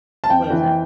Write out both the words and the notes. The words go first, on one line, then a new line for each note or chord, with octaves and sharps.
What is it?
A5
F2 G5
E3